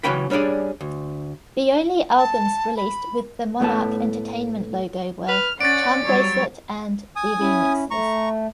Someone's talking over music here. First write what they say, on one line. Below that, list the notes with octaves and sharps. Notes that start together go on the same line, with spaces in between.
The only albums released with the Monarc Entertainment logo were "Charmbracelet" and "The Remixes".
C#3 E3 F#3 C#4 G5 B5
G3 C#4 D4 G#4 D5
D2
A5
B5
A2 A3 B3 F#5 A5
B4 F6
C#4 D5 F#5 A6 D7
F#3 G3 C#5
G#5 D#6
C#4 E4
A3 A#5 C#6